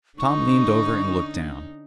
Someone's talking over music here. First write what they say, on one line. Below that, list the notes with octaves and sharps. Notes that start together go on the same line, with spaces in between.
Tom leaned over and looked down.
D3 C#4 D#4 C#6